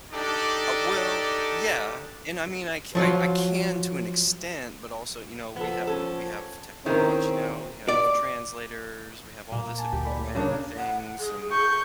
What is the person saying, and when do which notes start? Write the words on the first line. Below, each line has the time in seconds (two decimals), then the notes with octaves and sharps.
Uh well, yeah, and I mean, I c I I can to an extent, but also, you know, we have we we have technology now, we have translators, we have all this equipment and things and
0.12 D4 D#4 G4 A4 D5
2.95 F3 F#3 F4
5.56 F3 B3 A4
5.87 C#4 A4
6.86 D#3 C4 C#4 E4 G#4 A#4
7.88 D5
9.52 A#2 A#3
9.78 G#5 A5
9.93 D2 G4
10.05 D5 B5
10.35 C#3 A#3 D4
10.77 F#5
11.20 G#4
11.51 C#6 G6